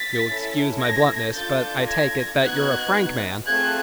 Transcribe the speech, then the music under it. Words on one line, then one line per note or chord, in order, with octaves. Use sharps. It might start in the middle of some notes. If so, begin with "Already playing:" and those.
You’ll excuse my bluntness, but I take it that you’re a frank man.
Already playing: A6 B6
C#4 E4 A4
G#6 A#6
D4 F4 A4 G6 A6
G#6 A#6
B3 D#4 F#4 F#6 G#6
A3 C4 F4 G#4 F#6 G#6